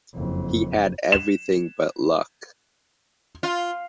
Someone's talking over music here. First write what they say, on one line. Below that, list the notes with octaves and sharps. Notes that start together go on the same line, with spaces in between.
He had everything but luck.
F#1 F2
E7
F4